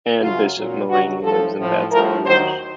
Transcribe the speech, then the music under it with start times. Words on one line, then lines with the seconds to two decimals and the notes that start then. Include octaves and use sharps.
Ann Bishop Mullany lives in Baton Rouge.
0.21 F#2 C#3 F#3 F4
0.55 A#2 F#3
0.90 D#2 C#3 F#3 F#4
1.23 A2 F3 A4
1.58 A2 F3
1.91 A2 F3 A#4
2.25 D#2 D#3 F#3 C5